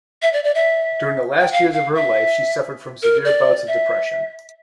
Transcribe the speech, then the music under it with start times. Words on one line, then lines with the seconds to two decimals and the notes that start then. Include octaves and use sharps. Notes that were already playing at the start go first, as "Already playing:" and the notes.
During the last years of her life, she suffered from severe bouts of depression.
0.22 E5
0.33 D5
0.44 D5
0.55 E5
1.40 G5
1.52 F5
1.73 F5
1.95 E5
3.03 A#4
3.25 D5
3.68 E5